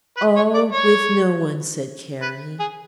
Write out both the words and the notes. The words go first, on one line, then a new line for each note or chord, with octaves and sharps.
"Oh, with no one," said Carrie.
B4
C#5
D5
C#5
B4
G#4